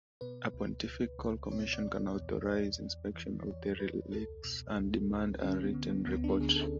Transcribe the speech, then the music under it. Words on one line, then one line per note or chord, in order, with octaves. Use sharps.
A pontifical commission can authorize inspection of the relics and demand a written report.
B2 B4
C#2
C#2
C#2
B2 C#5
D5
B2
D5
E2
E2
E2
E3
E2 C#5
E2 B4
C#2 A4
B2
C#2
C#2
D3 C#4
B3
D3
B3
D2 B3
D4
D3 G#4
A4